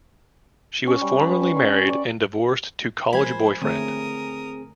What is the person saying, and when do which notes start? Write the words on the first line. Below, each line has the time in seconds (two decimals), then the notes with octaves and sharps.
She was formerly married and divorced to college boyfriend.
0.87 C#4
1.02 G3
1.28 B4
1.42 C#4
1.57 C#6
1.89 D5
3.13 F3 G#3 A#4 C5 G#5 B5
3.62 D3 A3 C4 G#4 A#4 C#5 D#6